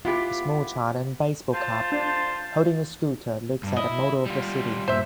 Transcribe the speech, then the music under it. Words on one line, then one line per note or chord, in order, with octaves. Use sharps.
A small child in a baseball cap holding a scooter looks at a model of the city.
B3 E4 F4 G4
F4 C5 A5
D4 C5
G2 D4
E4 D#5
G3 F4
G2 A#2 C5 E5